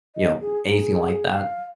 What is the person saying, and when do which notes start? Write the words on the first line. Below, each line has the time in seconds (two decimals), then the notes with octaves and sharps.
you know, anything like that?
0.16 D#5
0.41 G#4
0.68 G#4
1.30 F5